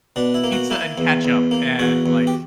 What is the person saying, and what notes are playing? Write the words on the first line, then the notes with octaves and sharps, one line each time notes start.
pizza and ketchup and, like
B2 D4
E4
A#3
F#4
A#3 E4
E2
E2
A#3
E2 F#4
E2
G4